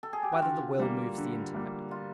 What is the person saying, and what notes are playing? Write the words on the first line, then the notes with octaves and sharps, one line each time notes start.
Whether the Will Moves the Intellect?
A4
G#4
G4
F#4
D3 F4
G3 A#3
D3
G3 A#3
F4